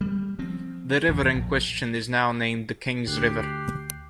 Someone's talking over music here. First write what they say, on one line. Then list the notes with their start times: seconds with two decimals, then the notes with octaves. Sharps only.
The river in question is now named the "Kings River".
0.01 G3
0.39 F3 C4
1.08 A1 E2 A2
1.35 A#1
3.07 D2 G4 F#6 C7